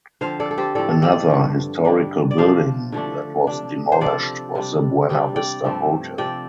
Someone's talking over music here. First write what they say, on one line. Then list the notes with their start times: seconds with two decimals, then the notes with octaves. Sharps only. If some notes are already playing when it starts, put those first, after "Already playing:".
Another historical building that was demolished was the Buena Vista Hotel.
0.21 D3 F3 C4 C5 F5
0.40 A4 D5
0.51 A4
0.58 G4 C5
0.75 A2 F3 C4 A4 D5
1.03 D5 G5
1.30 G2 D3 F3
1.85 D3 G3 D4
2.31 D5
2.38 C3 F3 D4 C5 F5
2.92 D3 F3 A3 D4
3.47 C3 F3 D4
3.92 C5
4.01 C3 F3 D4 A4 D5
4.55 C3 G3 D4
5.09 C3 G3 D4 G5
5.36 D5 G5
5.64 G2 F3 A3 C4
6.18 C3 F3 C4 D5 G5